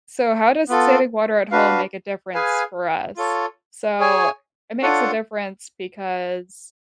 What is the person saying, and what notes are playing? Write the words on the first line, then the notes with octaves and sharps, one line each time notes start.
so how does saving water at home make a difference for us? So, it makes a difference because
B3 F4 A4
D4 F#4 B4 F5
G#4 B4 F5 G#5
F4 A4 C#5
G#4 C#5 G#5
D4 F4 A4 C#5 F#5